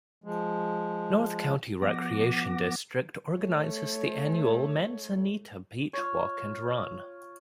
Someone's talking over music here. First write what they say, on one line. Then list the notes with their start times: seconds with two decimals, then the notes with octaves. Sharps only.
North County Recreation District, organizes the annual "Manzanita Beach Walk and Run".
0.24 F3 G#3
1.82 F3 B3 F#5 D6 A#6
3.38 A3 C#5
5.93 F4 C#5